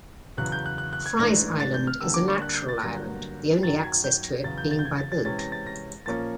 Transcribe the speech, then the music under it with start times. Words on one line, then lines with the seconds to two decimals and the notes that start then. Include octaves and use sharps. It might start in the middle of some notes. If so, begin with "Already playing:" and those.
Fry's Island is a natural island, the only access to it being by boat.
0.38 E2 C#3 F#3 F#6
0.52 G6
0.66 F#6
0.78 F#6
0.93 F#6
1.06 G#6
1.19 G#2 E3 A3 D4 A#6
1.60 A6
1.74 G6
1.87 F6
2.01 D3 G3 A#3 D4 E6
2.14 D6
2.28 C#6
2.42 F#6
2.54 G6
2.68 A6
2.82 G2 D3 F#3 A#3 A#6
3.63 F#2 D#3 F#3 A6
3.84 G#6
4.04 G6
4.24 A#6
4.43 E2 C#3 F#3 A6
4.58 G6
4.71 A6
4.79 G6
4.85 G#6
4.98 A6
5.12 A6
5.25 C3 E3 G#3 C#4 A6
5.39 A#6
5.52 A6
5.66 A#6
6.06 A#2 F3 A#3 C#4 A6